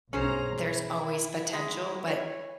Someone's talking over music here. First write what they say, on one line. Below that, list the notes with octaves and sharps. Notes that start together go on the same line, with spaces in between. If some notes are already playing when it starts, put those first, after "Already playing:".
there's always potential, but,
B1 G2 C#4 G#4 C5 A#5
E4
G#3
C#5